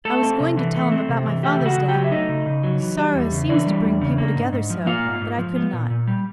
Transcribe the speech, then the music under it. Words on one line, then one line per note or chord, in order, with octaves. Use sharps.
I was going to tell him about my father's death, sorrow seems to bring people together so, but I could not.
A3 A4 A5
C4
C3
E3
A3
C4
C3
E3
A3 G4 G5
C#3
F#4 F#5
C#3
G4 G5
F#3
E5
A3 D#4 D#5
C#3
C#3
F#3
E3
G3
E2
C#3
E3 D4 D5
G3
E2
C#3
A#3
G#2
G#2
F3
A#3 F4 F5
G#2
G#2
F3
B3
A#2
A#2
G3